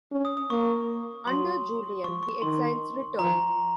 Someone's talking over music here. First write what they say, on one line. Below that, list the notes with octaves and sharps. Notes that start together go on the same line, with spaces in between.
Under Julian the exiles returned.
C#4
D#6
D#6
A#3 C#6
F#3 C6
F3 C#6
C#6
D#3 C6
F3 A#5